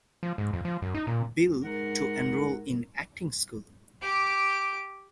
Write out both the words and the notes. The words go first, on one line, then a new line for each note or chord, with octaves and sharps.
Bill to enroll in acting school.
F3
G#2
F2
F3
F#2
D#4
A#2
G#2 A#4 F#5
G4 D6